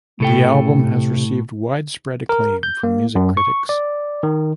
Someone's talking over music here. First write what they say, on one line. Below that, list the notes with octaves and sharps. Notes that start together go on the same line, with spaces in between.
The album has received widespread acclaim from music critics.
A2 C3 A4 G5
A#4
G6
A#3
F#2
C#6
D5
D#3